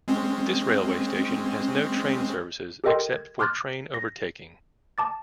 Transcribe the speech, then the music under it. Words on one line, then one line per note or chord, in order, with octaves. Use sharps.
This railway station has no train services except for train overtaking.
G#3 C4 C#4
G4 A4 A#4 D#5 G5 C6
G#6
C6 D6 F6 F#6 G#6 A6
A#6
A5 D6 A6